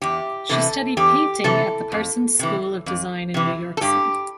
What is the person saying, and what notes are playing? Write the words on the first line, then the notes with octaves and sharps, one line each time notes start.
She studied painting at the Parsons School of Design in New York City.
E2 G4
C3 E3 A4
E2 G4
C3 E3 A4
F2
C3 E3
F2
C3 E3
A4
G2 G4